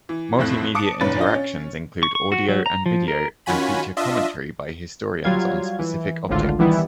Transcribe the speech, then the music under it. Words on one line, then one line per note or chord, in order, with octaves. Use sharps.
Multimedia interactions include audio and video, and feature commentary by historians on specific objects.
E3
F2 A2 C4 F#6
A5 D6 D#6 C#7 D7
F#1 A#2 D#3 C#4 B4 A6
D4 F4 D#5
C#4
C#6
C#6
F#4
F#3
A#5
F3
A#4
D#3 C#4 F4 F#4 G#5 B5
D4 F4 D#5 E5
F#3 G3 F4 F5 G#6
E3
G#1 C#2 A2 D3 F4
D#3 E3 G3 B3 E4